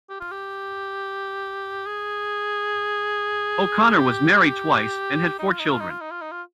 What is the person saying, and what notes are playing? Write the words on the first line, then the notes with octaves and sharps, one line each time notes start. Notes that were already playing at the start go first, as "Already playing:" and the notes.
O'Connor was married twice and had four children.
G4
F4
G4
G#4
G4
D#4
F4
D#4
F4
D#4
F4
D#4
F4
D#4
F4